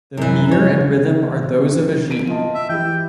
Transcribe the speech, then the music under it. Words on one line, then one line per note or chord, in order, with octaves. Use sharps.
The meter and rhythm are those of a gigue.
F#2 E3
C#5
D7 D#7
F4 D#5 A5
E5
E3 E4 G4 G5